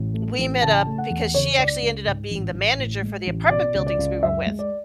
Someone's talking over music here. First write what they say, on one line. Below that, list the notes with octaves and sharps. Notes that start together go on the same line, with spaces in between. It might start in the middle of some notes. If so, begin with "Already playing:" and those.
we met up because she actually ended up being the manager for the apartment buildings we were with.
Already playing: A1 A2
A3
A1
C#3 A5
A3
F#5
E2
C#3 C#5
C#2 D5
C#2
G#2
A1
A1
A2
G#3
A1
B2 D5
C#2
D5
C#2
F#2 E5
G#3
D5